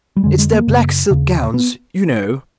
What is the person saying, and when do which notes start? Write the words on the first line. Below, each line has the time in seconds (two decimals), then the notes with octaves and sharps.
"It's their black silk gowns, you know."
0.17 G3
0.23 F2 D3 G#3
0.39 G#3
0.53 A#3
0.67 F#2 C#3
1.11 D#2 C#3
1.54 B3